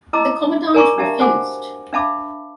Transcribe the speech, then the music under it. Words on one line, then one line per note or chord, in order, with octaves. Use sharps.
The commandant refused.
E4 D#5 A5 A#5 D6 E6
A#4 D5 G#5 A#5 C#6 D6
D4 G4 E5 F5 A5 A#5
F#4 C5 F#5 G#5 D6
D4 E5 F5 A5 B5 D6